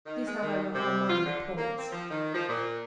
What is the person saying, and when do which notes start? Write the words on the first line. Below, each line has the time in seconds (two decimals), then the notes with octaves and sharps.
These, however, are minor points.
0.06 D#3
0.27 G#3
0.42 D#3
0.75 C3
1.10 F4
1.25 D3
1.57 A#3
1.78 C4
1.92 F3
2.10 D#3
2.34 F3
2.49 A#2